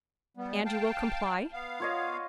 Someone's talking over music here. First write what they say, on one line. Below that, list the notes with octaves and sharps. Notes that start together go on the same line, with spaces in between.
"And you will comply?"
G3 B3
F5 G5 A5
B3 F5
F4 C#5 D#5